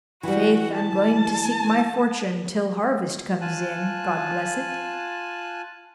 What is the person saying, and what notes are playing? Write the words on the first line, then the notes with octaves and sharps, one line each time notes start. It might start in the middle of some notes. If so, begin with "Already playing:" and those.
"Faith, I'm going to seek my fortune till harvest comes in, God bless it!"
E3 G3 F#4
A5
F4 G#5 A5 F#6